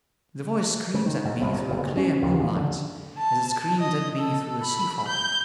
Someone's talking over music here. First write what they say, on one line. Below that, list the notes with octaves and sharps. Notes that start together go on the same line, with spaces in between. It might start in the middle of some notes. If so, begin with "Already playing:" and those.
The voice screams at me through the clear moonlight, as it screamed at me through the sea-fog.
C#3
D#3
G#2
C2
A#2
F#1
G2
C#4
D#2
C#3
D3
A5
D#5
A4
B5
G6